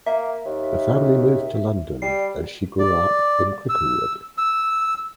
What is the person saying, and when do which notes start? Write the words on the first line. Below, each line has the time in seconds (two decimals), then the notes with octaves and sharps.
The family moved to London and she grew up in Cricklewood.
0.06 A#3 E5
0.45 D#2
2.02 G3 C7
2.79 D5
3.69 E6
4.38 E6